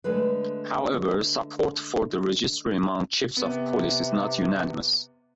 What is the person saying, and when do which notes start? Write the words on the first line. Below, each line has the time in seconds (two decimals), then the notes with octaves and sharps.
However, support for the registry among Chiefs of Police is not unanimous.
0.04 D3 G#3 A3 B4
3.37 C3 B3